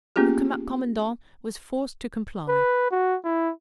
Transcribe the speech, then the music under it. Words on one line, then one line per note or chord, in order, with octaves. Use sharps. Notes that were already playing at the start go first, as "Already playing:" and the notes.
The commandant was forced to comply.
A#3 B3 C#4 F4 G4 G#4
B4
F#4
E4